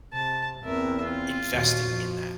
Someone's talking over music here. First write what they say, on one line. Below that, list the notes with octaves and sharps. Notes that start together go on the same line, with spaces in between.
investing in that.
C3 A5
E2 C4 A#4 E5
C4 F4
D#2 A#2 F#4
F2